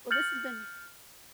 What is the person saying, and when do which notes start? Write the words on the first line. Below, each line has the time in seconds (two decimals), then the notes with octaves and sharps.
Well, this has been
0.11 F6 G6 A6 C#7 F#7